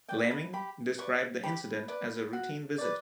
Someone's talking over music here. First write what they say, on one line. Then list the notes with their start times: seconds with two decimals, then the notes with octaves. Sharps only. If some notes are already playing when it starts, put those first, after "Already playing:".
Laming described the incident as a "routine visit".
0.08 B4 D5 G5
0.31 B5
0.53 G4 B5
0.98 B4 D5 C#6
1.43 G4 B5
1.88 B4 D5
2.33 F#4
2.78 B4 D5